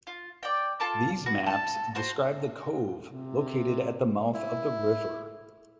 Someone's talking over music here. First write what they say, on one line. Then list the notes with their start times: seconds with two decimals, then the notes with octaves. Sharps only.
These maps describe the cove located at the mouth of the river.
0.07 F4
0.43 D5 G5
0.80 F4 A4 A5 D6
1.26 F#4 B4
1.46 A4 A5
1.95 F#4 C5 C6
3.11 C3
4.35 E4